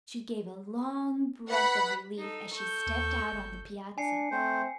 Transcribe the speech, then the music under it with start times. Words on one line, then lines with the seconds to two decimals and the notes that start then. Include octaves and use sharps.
She gave a long breath of relief as she stepped out on the piazza.
1.49 B4 F#5 B5
2.17 D#4 A4
2.52 A4 C#6 G6
2.86 D#2
3.32 G1
3.98 D4 G#5 C7 C#7
4.31 A3 C4 C5